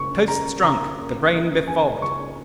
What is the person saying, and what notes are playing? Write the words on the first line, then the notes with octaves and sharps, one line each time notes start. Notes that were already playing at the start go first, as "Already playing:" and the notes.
Toasts drunk. The brain befogged.
Already playing: C#2 C#3 A#3 C#6
C#4
A#3 A#5
C#3
C#2 A#5
C#4
A#3
C#3
C#2
C#4
A#3 G#5
C#3
C#2 C#6
C#4